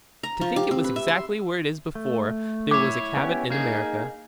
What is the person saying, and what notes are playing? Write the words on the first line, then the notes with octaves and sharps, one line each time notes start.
"To think it was exactly where it is before there was a Cabot in America!"
A#5
F3
G4
C4
B4
E5
C6
A3
E4 C#5 D6
B3 C#4 G4
A#3 D#4 G#4